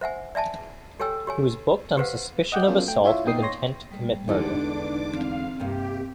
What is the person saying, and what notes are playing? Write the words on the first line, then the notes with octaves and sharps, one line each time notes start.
He was booked on suspicion of assault with intent to commit murder.
C5 E5 F#5 G#5
D5 E5 G#5 A5
G4 A4 C#5 G5 G#5 E6
G4 C#5 G#5
G4 G#4 B4 C5 F5 F#5
D#5 F#5 G5 D6 G6
F#3 B3 C#4 F4 A4
A3 G5
E4 F4 C#5 E5
A#2 B3 D#4 G5 D#6 C7
C#5 C6 A#6
G3 A3
E2 D3 E3 G#3 D4 D#4 G4 D6
B4
C4 F5
G2 C3 A#3 G4